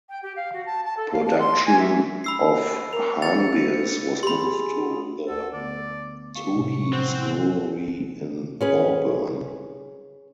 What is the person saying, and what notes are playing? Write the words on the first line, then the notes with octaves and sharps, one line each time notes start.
Production of Hahn beers was moved to the Tooheys brewery in Auburn.
G5
G4
F5
F#4
A5
A5
A4
F5
A5
C6
G#5
E5
B5 E6 C7
A#4 F7
A6 C#7 F7
G4 B5 C6
G#4
D2 A4 A#4 F#5
D3 A3 B3 D5
F5 C#6
A2 C3
C4 C5 F#5
E4
C#4 G#4 B4